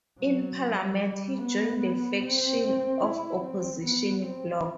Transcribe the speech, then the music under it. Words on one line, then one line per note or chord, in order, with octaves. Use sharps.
In parliament he joined the faction of Opposition Bloc.
F#3
G3
B3
C4
E4
C4
B3
C4